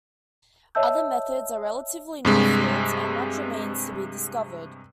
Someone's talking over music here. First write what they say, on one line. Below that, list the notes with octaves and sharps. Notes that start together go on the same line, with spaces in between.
Other methods are relatively new fields and much remains to be discovered.
C#5 D#5 E5 A5 E6 G6
G2 C3 G#3